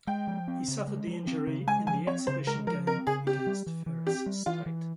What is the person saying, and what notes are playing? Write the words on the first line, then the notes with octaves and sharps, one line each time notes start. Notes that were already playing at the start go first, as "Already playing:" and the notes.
He suffered the injury in the exhibition game against Ferris State.
G#3 G5
F3
C4
C#3
G#3
F3
C4
C#3
G#3 G#5
F3 G#5
C4 C#5
C#3 C5
G#3 A#4
F3 A#4
C4 A#4
C#3 G#4
C4 G4
G3
E3
E3
C4 G4
G3
E3 F4
E3